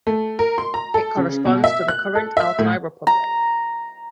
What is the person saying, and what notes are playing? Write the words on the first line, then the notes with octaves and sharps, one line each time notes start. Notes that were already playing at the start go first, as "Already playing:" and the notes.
It corresponds to the current Altai Republic.
A3
A#4
C6
A#5
A4
C#3
B2
E5
F#6
A4
E5
A2
A#5